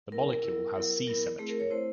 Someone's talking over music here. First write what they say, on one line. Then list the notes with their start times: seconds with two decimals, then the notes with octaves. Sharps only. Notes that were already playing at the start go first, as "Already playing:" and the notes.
The molecule has C symmetry.
0.12 F#3 B3 E4 A#4
0.44 F#3 B3 E4
0.75 F#3 B3 E4
1.07 F#3 B3 E4 A#4
1.39 A3 C4 E4 G#4
1.49 A#4
1.60 C#5
1.70 A3 C4 E4 C5